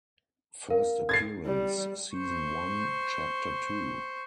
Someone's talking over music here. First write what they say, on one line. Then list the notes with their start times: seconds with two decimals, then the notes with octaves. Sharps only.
First Appearance: Season One, Chapter Two.
0.70 A#4 F5
1.09 G#6 A6 C7
1.46 G3
2.14 C5 C#6